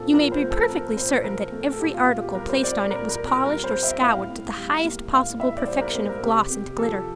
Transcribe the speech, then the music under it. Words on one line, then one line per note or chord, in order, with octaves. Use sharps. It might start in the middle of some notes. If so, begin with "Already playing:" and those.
You may be perfectly certain that every article placed on it was polished or scoured to the highest possible perfection of gloss and glitter.
Already playing: A#2 C4 A4
F3 A#4
C5
A3
A4
C4 A#4
A#4
A#2 C5
F3 A#4
A3 A4
A4
A#2 G4
F4
A#2 F4
G4
G3 A#4
C5
C4 D5
A#4
A#2 A#4
A#4
A#2
A#4
G3 A#4
C5
C4
E5
A2 F5
A2
G3
A#3
A2 F5
A2 E5
D5
G3 C5
A#4
A#3 C5
A#4
C3 G4
C3 G4
F3 A4